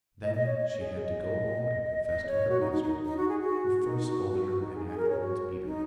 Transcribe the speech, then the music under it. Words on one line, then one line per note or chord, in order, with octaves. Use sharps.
Then she had to go home and confess to her master, who first scolded her and afterwards beat her.
D#5
D#5
C#5
D#5
C#5
G#4
D#5
D#5
C#5
F#4
D#4
D#4
D#4
D#4
F#4
G#4
F#4
D#4
F#4
F#4
F#4
D#4
G#4
G#4
A#4
C#5
F#4
D#4